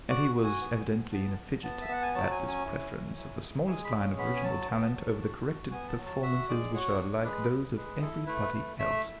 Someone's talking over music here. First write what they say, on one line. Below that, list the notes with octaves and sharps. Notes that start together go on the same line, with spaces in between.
Etty was evidently in a fidget at this preference of the smallest line of original talent over the corrected performances which are like those of every body else.
F#4 D5
F#4
G#5
B3
B3
B3 A5
B3
B3 A5
E5
B3 F#5
G#5
F#3 A5
G#5
C#4
G#5
E4
F#3
E4
G#3
G#3 G#5
B5
C#4
B3 B5
G#5
F#3 A5
B3
F#3
F#4
F#4
B3 G#5
A5
F#3
A5
F#4 E5
G#3 D5
F#4 C#5
D4
G#3 B4
G#3
G#3 B4
E4 A4
A3 B4
A3
A3 E5
E4